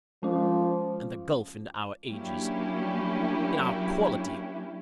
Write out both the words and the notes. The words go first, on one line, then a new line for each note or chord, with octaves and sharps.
And the gulf in our ages--in our quality!
F3 G#3 C#4
F#3 A#3 C#4 D4 E4 G4